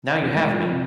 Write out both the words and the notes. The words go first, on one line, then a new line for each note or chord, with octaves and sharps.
Now you have me!
E2
G#3
F3
C3